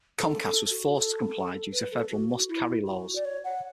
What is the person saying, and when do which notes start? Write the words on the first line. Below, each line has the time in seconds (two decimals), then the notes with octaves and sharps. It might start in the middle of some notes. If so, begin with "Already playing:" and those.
Comcast was forced to comply due to federal must-carry laws.
0.19 A4
0.45 A4
0.70 F#4
0.96 A4
1.73 B4
1.91 A4
2.11 F#4
2.29 F#4
2.48 E4
2.87 F#4
3.16 D5
3.25 C#5
3.44 F#5